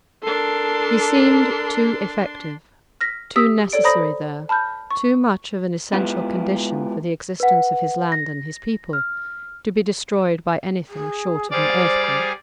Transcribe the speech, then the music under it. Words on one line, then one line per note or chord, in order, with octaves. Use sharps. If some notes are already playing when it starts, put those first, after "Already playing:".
He seemed too effective, too necessary there, too much of an essential condition for the existence of his land and his people, to be destroyed by anything short of an earthquake.
D4 A4 A#4 C6
F6 A#6 B6
G4 D#6 E6 B6
A4 C#5 D5 D7
C5 C#5 A#5 B5 D#6 A#6
A5 B5 F6 G6
C#6
G#3 B3 E4 F4 B4
B4 F#5
A#6
F6
G#4
G3 G#4 C5 D5 F5